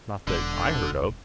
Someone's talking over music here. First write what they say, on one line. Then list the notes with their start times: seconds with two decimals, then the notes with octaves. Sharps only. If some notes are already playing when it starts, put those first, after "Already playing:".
Not that I heard of.
0.27 E1 D3